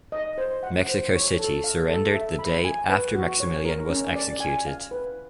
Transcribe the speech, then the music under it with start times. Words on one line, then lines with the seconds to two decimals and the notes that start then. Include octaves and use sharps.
Mexico City surrendered the day after Maximilian was executed.
0.12 D#5
0.38 C5
0.63 F#5
0.89 C5
1.14 C#5
1.39 A4
1.64 F5
1.89 A4
2.14 E5
2.39 B5
2.65 G#5
2.89 B4
3.15 F#4
3.40 C#5
3.65 A#4
3.90 C#4
4.16 D5
4.40 G#5
4.67 F5
4.91 B4